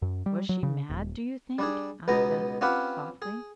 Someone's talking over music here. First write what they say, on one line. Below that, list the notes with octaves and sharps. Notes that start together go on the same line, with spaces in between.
"Was she mad, do you think?" asked Beth, softly.
F#2
G3
F#3
C#3
D#1
G3 D4 G#4
C#2 B2 B3 D#4 A#5
C4 C#4 F4 G4 B4 F#5
G#4